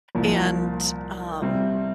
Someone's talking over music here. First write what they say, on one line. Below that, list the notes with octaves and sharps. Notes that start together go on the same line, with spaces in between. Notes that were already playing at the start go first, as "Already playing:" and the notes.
and, um,
C2 A#2 F3
C3 G3 C4